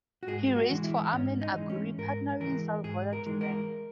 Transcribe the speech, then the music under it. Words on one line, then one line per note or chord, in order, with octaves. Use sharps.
He raced for Amlin Aguri, partnering Salvador Duran.
F#4
G#2 G#4
F#4
E3 G#3
E4
G#2 C#4
D#4
E3 G#3
C#4
G#2 A#4
E3 G#3 A#4
G#2 G#4
A#4
E3 G#3
A#4